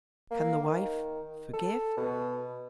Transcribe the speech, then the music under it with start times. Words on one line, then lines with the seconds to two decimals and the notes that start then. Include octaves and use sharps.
Can the wife--Forgive?
0.31 A#3
0.64 D#3
1.54 A4
1.97 B2